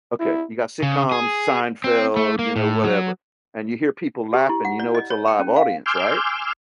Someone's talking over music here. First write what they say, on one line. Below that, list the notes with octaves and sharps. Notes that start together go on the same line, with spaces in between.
Okay, you got sitcoms, Seinfeld, you know, whatever, and you hear people laughing, you know it's a live audience, right?
E4
C#3
G#4
C4
A3
A#3
A2
F#3
G4
E4
F#5
D5
D#5
C#5
G5
C#4
F5
G#5 C6 D6 E6 F6 G6